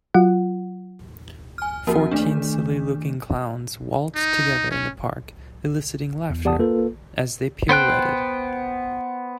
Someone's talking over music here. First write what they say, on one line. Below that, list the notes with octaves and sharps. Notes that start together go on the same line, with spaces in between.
Fourteen silly looking clowns waltzed together in the park eliciting laughter as they pirouetted.
F#3 F4 F#5
G#5 F6
F3 A#3 C4 F#4 A#4
D#3 A3 D4
D#4
C#4
E2
E2 G4 D5 F#5 A5 D#6
A#3 F4 A4 B4
B3 C5 G5 F#6